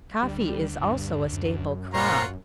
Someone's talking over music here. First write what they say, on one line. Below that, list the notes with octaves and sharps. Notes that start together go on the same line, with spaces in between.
Coffee is also a staple crop.
D2 G3
G2
F#2
A#2 F4 C5 C#5 F#5 A#5